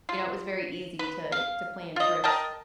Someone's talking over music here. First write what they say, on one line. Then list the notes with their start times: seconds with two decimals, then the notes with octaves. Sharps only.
you know, it was very easy to to plan trips
0.09 F4
0.99 B4
1.32 F5
1.96 F4 D#5
2.24 A#4 D#5 G5 A5